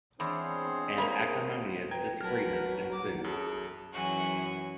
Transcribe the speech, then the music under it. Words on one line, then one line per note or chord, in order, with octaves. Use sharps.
An acrimonious disagreement ensued.
E2 G#3 C4 D4 G#4 C5 C#5
A#3 A#4 B5
B4 G5 A#5 G#6
F#3 A#4 B4 A5 F6
D6
F#2 G#4 A4
F#2 E3 F#3 F#4 G#5